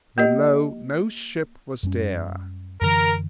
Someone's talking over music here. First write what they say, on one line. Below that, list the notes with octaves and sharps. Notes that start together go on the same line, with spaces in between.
When lo! no ship was there!
A#3 G4 D#5
F#2 G3 C#4
F#2 D3 E3 A#4